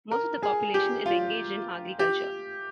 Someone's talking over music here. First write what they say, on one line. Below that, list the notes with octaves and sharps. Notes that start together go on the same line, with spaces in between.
Most of the population is engaged in agriculture.
A#4
G#4
G4
F4
G4